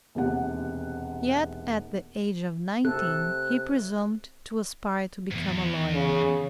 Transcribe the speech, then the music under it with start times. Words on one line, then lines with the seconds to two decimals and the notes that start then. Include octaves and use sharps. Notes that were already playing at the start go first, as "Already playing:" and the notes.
Yet at the age of nineteen he presumed to aspire to become a lawyer!
0.15 E1 D#2 C3 F#5
2.85 C3 A4 F#6
5.31 E2 G#2
5.93 C#3